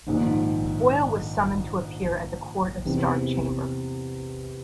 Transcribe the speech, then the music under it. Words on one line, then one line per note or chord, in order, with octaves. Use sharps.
Boyle was summoned to appear at the Court of Star Chamber.
A#1 G#2 D#3
E2 C3 E3 G3 C4